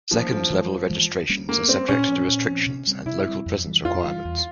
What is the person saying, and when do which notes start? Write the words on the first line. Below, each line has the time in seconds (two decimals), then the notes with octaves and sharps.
Second-level registrations are subject to restrictions and local presence requirements.
0.11 E3 F3 A#3 C#4
0.31 G2 F3
0.50 E3 G#3
0.70 G2
0.90 E3 G#3
1.09 G2
1.29 G3 A#3 C#4
1.49 G2 A#3
1.68 G3 A#3 C4 C#4
1.88 A#2 C#4
2.08 F3 C4
2.28 A#2
2.47 F3 C4
2.66 C3
2.87 G3 C4
3.06 C3 E4
3.26 G3 C4
3.46 F2
3.65 E3 G3
3.85 F2 F4
4.04 E3 G3
4.25 E2